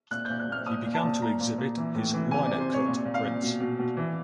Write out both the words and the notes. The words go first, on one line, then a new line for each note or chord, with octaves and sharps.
He began to exhibit his linocut prints.
A#2 F#6
A#2 G6
F#6
A#2 F6
A#2 D#6
A#2
A5
A#2
A#2 A#5
A#2
A#2
E3
A2
E3
C3 G#5
C3 D5
C5
C3 C#5
A#2
A#2
F5
A#2
B2
B2
B2
E3